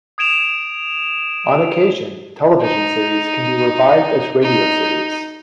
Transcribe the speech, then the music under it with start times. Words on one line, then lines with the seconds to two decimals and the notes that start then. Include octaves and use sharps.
On occasion television series can be revived as radio series.
0.18 D#6 G#6 D7 E7 F7
2.61 D#4
4.42 D#4